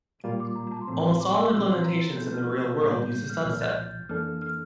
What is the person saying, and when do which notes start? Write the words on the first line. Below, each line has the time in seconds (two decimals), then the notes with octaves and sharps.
Almost all implementations in the real world use a subset.
0.24 A#2 G3 A#3 F4
0.40 D6
0.55 A#5
0.67 A#5
0.72 A5
0.81 C6
0.88 A2 F3 C4 A#5
1.04 C6
1.20 D6
1.36 E6
1.52 A#2 F3 C4 F4 E6
1.69 C6
1.84 A#5
2.01 A6
2.16 F3 A3 C4 E4 A4 G6
2.33 F6
2.49 E6
2.65 G6
2.81 A2 G3 A#3 G6
2.97 G6
3.14 G6
3.30 F6
3.45 C2 A#2 F3 F6
3.61 A6
3.77 G6
4.09 F2 E3 A#3 D4 A4 F6
4.42 F6